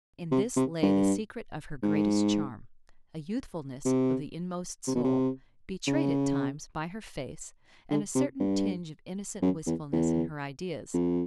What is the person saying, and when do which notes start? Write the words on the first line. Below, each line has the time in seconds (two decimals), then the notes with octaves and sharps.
In this lay the secret of her greatest charm, a youthfulness of the inmost soul, betrayed at times by her face, and a certain tinge of innocent wistfulness in her ideas.
0.31 C3
0.57 C3
0.82 G2
1.82 G#2
3.85 C3
4.87 C3
4.95 B2
5.04 C3
5.87 C#3
7.90 D3
8.15 C3
8.40 G2
9.42 F#2
9.66 E2
9.92 E2
10.94 F2